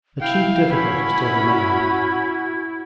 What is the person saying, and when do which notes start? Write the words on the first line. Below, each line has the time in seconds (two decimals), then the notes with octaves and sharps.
The chief difficulty still remained.
0.21 E4 F5 G5
0.70 C#4 E4 F#4 B5